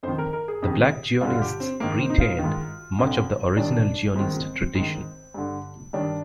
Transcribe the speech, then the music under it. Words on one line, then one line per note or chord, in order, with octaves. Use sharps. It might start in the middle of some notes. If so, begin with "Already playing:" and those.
The black Zionists retained much of the original Zionist tradition.
F2 D#3 C5
A#4
A#4
G#4
F2 C3 D#3
G2 D3 F4
F4
G4
C4
G#2 D#3 A#3
C4
D#4
F4
D#3
G#2
F2 D3
G2 D#3 D4
G#2 D#3 C4
G#2
D#3
G2 D3
G2 D#3 D4